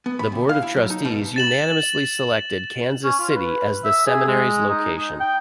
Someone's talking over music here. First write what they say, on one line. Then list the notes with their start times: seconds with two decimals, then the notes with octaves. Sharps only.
The Board of Trustees unanimously selected Kansas City as the Seminary's location.
0.06 B3
0.19 B5
0.32 D2
0.49 F5
0.62 E4
0.76 F#3
0.90 D#4
1.05 B2
1.36 A6 E7 F#7
3.04 C#4
3.20 F4
3.36 B4
3.85 E5
4.07 G#4
4.28 G#3
4.69 D#4
4.99 D#4
5.20 G5